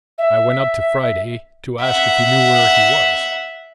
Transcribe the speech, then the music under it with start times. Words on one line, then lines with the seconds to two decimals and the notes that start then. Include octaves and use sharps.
I went up to Friday, to ask if he knew where he was.
0.18 E5
1.82 E5 F#5